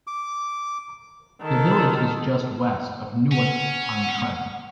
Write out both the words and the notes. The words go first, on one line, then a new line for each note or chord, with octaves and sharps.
The village is just west of Newark-on-Trent.
D6
D#3 A4
C#4 F#5